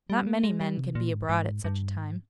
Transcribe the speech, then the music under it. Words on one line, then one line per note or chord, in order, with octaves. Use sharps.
Not many men can be abroad at such a time.
G3
A#3
G#3
G3
C3
A#2
G#2
G#2
G2
G#2